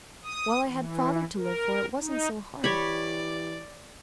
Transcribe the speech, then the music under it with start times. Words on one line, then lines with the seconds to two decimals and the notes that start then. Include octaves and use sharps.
While I had Father to live for it wasn't so hard.
0.24 D#6
0.68 E3
1.37 A#4
1.99 D#4
2.64 E3 G4 C#5 D5 B5